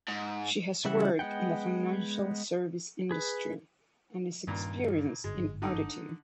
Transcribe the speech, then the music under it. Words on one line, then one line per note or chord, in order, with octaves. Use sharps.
She has worked in the financial service industry and is experienced in auditing.
G#2
C#3 E3 G3 E5 F#5
G#3 B3 F#5 G5
G#4 B4
C#2 G2 A#2 D#3
G1 G#2 G#3
D3 D#4